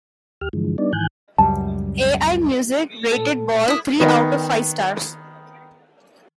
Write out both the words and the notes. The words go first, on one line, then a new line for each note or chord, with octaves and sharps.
AllMusic rated "Ball" three out of five stars.
D#2 G4 F6
G2 D3 E3 F3 G#3
G3 B3 D4 D#4 D5
G#2 D#3 E3 G#5 F#6 G6
C#2 F#2 G3 A5
A#2 A4
E4 D#6
D#3 B3